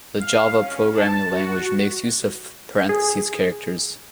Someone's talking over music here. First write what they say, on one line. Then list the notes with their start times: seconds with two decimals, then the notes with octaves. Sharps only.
The Java programming language makes use of parentheses characters.
0.20 F5
0.61 C#4
0.95 A5
1.29 F#4
2.89 G#4